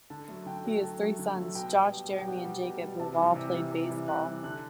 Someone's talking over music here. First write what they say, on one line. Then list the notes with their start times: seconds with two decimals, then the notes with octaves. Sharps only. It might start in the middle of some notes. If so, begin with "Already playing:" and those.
He has three sons, Josh, Jeremy and Jacob who have all played baseball.
0.10 D3 A5
0.28 F#3 A3
0.46 D3 G5
0.64 F#3 A3
0.82 D3 A5
1.00 F#3 A3
1.19 D3
1.36 F#3 A3
1.55 B2 G5
1.73 G3
1.91 B2
2.10 G3
2.19 G5
2.27 B2 F#5
2.45 G3
2.63 B2
2.82 G3
3.00 C3 A5
3.17 E3 G3
3.35 C3
3.53 E3 G3
3.71 C3
3.90 E3 G3
4.08 C3 F#6
4.25 E3 G3
4.43 D3 F#6